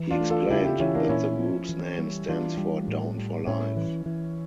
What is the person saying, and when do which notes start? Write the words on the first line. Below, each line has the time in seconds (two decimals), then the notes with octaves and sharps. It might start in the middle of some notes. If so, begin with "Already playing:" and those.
He explained that the group's name stands for "Down for Life".
Already playing: E3
0.10 D4 F4
0.20 A3
0.30 F4 A4
0.50 C#3 E4 G4
0.65 E4 G4
0.80 E3 C#4 E4
0.95 A#3 D4
1.09 A#2 C#4 E4
1.39 F3
1.69 E3
1.98 G3
2.28 E3 D4 F4
2.57 G3
2.88 A2
3.18 G3
3.47 A2 C#4 E4
3.77 E3
4.06 E3